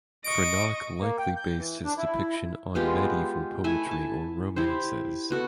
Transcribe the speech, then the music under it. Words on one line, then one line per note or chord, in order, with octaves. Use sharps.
Cranach likely based his depiction on medieval poetry or romances.
D#5 C#6 D7
A#3
G5
G6
E3
D4
E4
G#3 B3 F4 G4
A3 E4 E5 G#5
G#5 A5
E4 G4 C5
B3 F#4 A4